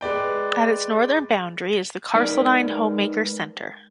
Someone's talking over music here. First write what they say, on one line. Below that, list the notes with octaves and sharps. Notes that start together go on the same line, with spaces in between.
At its northern boundary is the Carseldine Homemaker Centre.
G#3 B4 D5 G5
G#3 D#4 A#4 B4 D5